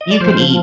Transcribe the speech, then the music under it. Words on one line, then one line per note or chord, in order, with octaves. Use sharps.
You can eat
D#5
D5
F3 C5